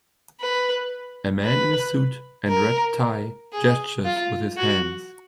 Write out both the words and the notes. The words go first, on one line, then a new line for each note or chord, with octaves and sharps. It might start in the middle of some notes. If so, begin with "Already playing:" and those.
A man in a suit and red tie gestures with his hands.
B4
B4
A#4
G#4
F4
F#4